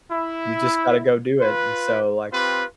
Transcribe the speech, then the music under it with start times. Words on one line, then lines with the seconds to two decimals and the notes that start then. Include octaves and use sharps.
you just gotta go do it, and so, like,
0.11 E4
1.41 F4 B4
2.33 C4 F4 G4 B4